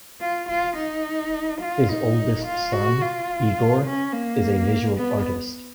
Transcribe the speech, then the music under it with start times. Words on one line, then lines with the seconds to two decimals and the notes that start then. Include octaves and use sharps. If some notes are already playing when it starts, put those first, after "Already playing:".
His oldest son, Igor, is a visual artist.
0.21 F4
0.49 F4
0.76 D#4
1.61 F4
1.89 D#4
2.45 F4
2.72 F#4
3.01 F4
3.86 C#4
4.13 A#3
4.98 B3